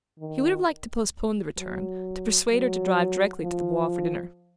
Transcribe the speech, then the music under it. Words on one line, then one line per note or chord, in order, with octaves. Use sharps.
He would have liked to postpone the return, to persuade her to drive directly to the Bois for dinner.
D#3
F#3
F#3
F3